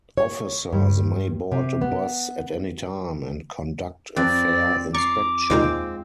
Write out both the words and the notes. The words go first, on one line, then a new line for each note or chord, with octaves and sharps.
Officers may board a bus at any time and conduct a fare inspection.
C#5
G2
C3
B3
F2 C4 D5
D5 A#5 C#6 D6 C7
D#2 A#2 G#3 C4 D#4 F4 C5